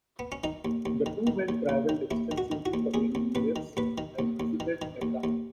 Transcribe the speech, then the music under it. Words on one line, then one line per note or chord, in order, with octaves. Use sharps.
The two men travelled extensively for many years and visited Mecca.
B3
C#4
D#3 D#4
D#2
D#2
D#3
D#3
D#2
D#2
D#3
D#2 E4
D#3
F#4
D#3
F#4
D#2
D#2 G#4
D#2
D#2 B4
D#3
D#2 B4
D#3
D#2
D#2
D#3
D#3
D#2
D#2